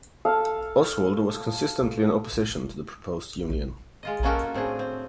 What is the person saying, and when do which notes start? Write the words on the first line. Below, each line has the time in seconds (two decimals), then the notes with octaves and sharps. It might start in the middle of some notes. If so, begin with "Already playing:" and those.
Oswald was consistently in opposition to the proposed union.
0.25 A4 F5 A5
4.03 G#3 F4 D#5
4.23 A#3 C#4 F4 F#4 A4 A#4
4.54 A2 C4 D4 G#4
4.79 C4